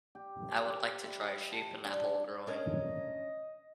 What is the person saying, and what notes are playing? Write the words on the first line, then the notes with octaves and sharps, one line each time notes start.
I would like to try sheep and apple growing.
G4
C5
D6
E4
A5
D4
C#4 D4 A#4 D#5